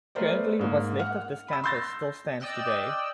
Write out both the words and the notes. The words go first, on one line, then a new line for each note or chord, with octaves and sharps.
Currently, what's left of this campus still stands today.
A3 B3 A#4 C5 D5
G#2 A#3
F#5 F6
B5 E6
C6 E6 G6 A6 A#6
D5 D#5 G5 E6 F#6